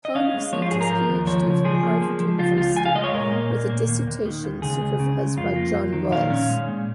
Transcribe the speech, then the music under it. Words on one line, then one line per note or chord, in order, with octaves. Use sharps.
Pogge received his Ph.D. from Harvard University with a dissertation supervised by John Rawls.
D#5
C#4 F5
G#3
F3 C#5
F4
G#2 G#4
A#4
F3
D#2
F3 C#5
C#3
F3 G#4
A#3
F3
F3
C#2 F4
C#2 F4
C#2 G#5
F5
G#3 D#5
C#5
A#2 A#4
A#3
A#2
A#3
D#2
D#2
D#3
D#2
C#2 G#4
C#2
C#3
C#2
F2 F4
A#3
F2
D#3
A#2 F5
C#4
G#3
A#2